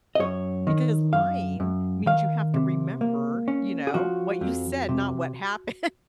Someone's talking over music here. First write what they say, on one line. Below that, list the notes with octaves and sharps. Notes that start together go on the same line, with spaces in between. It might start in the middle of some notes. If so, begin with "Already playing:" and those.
because lying means you have to remember, you know, what you said, not what happened,
D#5
F#2 C#5
D#3
F#2 F5
F#2
D#3 F5
C3
A#3
C#4
G#4
F3 F#4
F2
C3